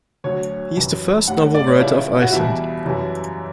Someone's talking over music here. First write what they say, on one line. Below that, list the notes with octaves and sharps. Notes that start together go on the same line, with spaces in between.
He is the first novel writer of Iceland.
D2 D3 F#3 C#5
F#2 E3 G3
A2 G3 F#5
D5
C#5
C#2 C#3 G3 E4
F#4
E2 B2 G3 E4
F#2 E3 G3